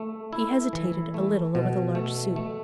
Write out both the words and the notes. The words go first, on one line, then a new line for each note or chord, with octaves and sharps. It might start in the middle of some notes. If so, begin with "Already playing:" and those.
He hesitated a little over the large sous.
Already playing: A3
E4
E3
A3
B2
A3
A3